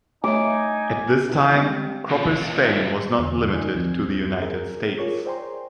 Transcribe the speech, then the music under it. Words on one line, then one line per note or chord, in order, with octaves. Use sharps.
At this time, Cropper's fame was not limited to the United States.
A3 D#4 C#5 E5 G#5 D6
E4 A5
G3 G#3 C4
D#2 A#2 C#3 F4
F2 D3 G#3
D#3 A3 D#4
E2 D3
D#4 D5 G#5
D#2 F3 C4 G#6
G#4 A#4 A#5
F4 G#4 A#4 C#5 C#6 D6
C5 D5 G5 G#5 A#5 C6